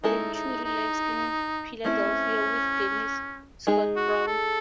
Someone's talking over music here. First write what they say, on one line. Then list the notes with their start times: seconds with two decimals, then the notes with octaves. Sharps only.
Venturi lives in Philadelphia with Denise Scott Brown.
0.03 G#3 C#4 D#4 E4 A4
0.35 D#4
0.65 D#4
1.85 A3 C4 C#4 E4
3.67 G#3 D#4 G#4
3.96 F#4
4.27 A4